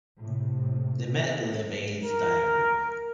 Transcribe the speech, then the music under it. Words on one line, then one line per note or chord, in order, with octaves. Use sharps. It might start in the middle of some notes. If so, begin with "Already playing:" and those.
They meet in Levade's dining room.
A2 C3
A#4